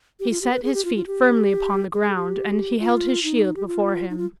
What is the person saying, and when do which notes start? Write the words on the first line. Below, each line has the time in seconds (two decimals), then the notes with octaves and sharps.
He set his feet firmly upon the ground and he held his shield before him.
0.20 G4
0.30 F4
0.42 G4
0.52 B4
0.64 G#4
0.74 G4
0.85 F4
0.96 F4
1.07 G4
1.94 G#4
2.15 G4
2.80 F4
3.24 D#4
3.56 G4
3.67 F4
4.10 D#4
4.18 F4